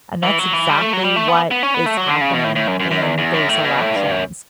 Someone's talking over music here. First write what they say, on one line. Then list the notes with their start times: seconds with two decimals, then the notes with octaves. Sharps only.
And that's exactly what is happening in those elections.
0.23 E3
0.39 F#3
0.53 E3
0.69 G3
0.81 A3
0.93 F#3
1.04 G3
1.16 A3
1.28 B3
1.51 B3
1.63 C#4
1.74 B3
1.86 A3
1.97 F#3
2.09 D3
2.21 C#3
2.33 B2
2.44 A2
2.56 A2
2.68 F#2
2.80 F#2
2.91 F#2
3.02 E2
3.18 E2
3.34 F#2
3.49 A2
3.64 B2
3.81 A2
3.96 G2
4.11 F#2